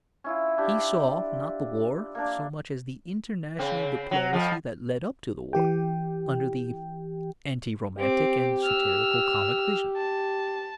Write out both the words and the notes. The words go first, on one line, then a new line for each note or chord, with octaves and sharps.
He saw, not the war so much as the international diplomacy that led up to the war, under the anti-romantic and satirical comic vision.
C#4 E4 F4
D4 G4
A#3 D4
C#3 C4
F#3
F2 F3
E3 G4 G5
C4 G4 D6
E6 F6
A5